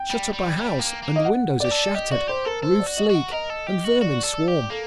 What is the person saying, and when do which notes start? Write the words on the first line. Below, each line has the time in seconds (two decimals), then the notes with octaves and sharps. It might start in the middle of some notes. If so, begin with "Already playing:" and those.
Shut up a house, and windows are shattered, roofs leak, and vermin swarm.
Already playing: G5
0.10 G3
0.33 G3
0.57 G3
0.80 A#3
1.03 A#3
1.16 D#5
1.25 F#5
1.60 G4 D5
1.71 A4
1.94 G4 D#5
2.11 F#4 D5
2.28 G4 C5
2.45 A4 A#4
2.63 A4 C5
2.80 D5
2.87 F#4
2.97 D#5
3.10 F#4 F#5
3.32 A#4 D#5
3.50 A4
3.67 G4
3.84 F#4
3.91 D#5
4.01 F#4 D5
4.24 A4
4.48 G4
4.70 A#3 A4